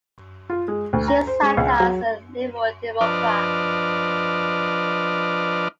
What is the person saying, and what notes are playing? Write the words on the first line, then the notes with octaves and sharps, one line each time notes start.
She sat as Liberal Democrat.
F4
G#3
D2
A#5
C5
G#3
C#2
F#3
F3 D4 B4 D#5 D6 F6